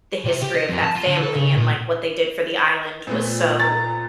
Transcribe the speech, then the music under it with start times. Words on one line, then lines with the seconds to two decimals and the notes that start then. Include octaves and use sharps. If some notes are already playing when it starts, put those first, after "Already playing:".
the history of that family and, like, what they did for the island was so
0.25 C3
0.42 G4
0.55 D#5
0.69 F2
0.83 A5
0.95 F4
1.07 D3
1.22 A4
1.35 C#3
1.57 A#2
3.07 A#2 A3 B3 C4
3.59 A#5 A6